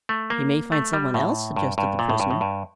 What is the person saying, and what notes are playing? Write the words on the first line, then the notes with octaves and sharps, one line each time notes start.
"He may find some one else," suggested the prisoner.
A3
A#3
A3
G3
A2
G2
G2
A#2
A2
G2
A2
G2